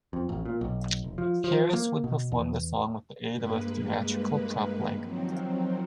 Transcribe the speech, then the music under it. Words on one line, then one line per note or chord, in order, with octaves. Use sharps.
Harris would perform the song with the aid of a theatrical prop leg.
F2
A1
A#2
B1
F1
F3
F3
A#3
B2
E2
G2 G#3 A#3 B4
D#3 F3 F#3 C4